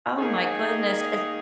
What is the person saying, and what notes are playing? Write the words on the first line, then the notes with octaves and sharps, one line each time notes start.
oh my goodness, i
D#3 A#3 D#4 G#4